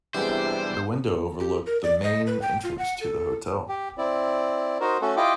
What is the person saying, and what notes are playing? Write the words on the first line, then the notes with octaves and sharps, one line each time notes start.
The window overlooked the main entrance to the hotel.
C3 E3 G3 G#3 B3 D4 E4 C5
G4
A#4
D5
D#5
B4
G5
F4
F#5
A4
G4
C4 E4 D5
D#4 F#4 A#4 C5
A3 C#4 F#4 A4
E4 F4 G4 D#5 G5 D6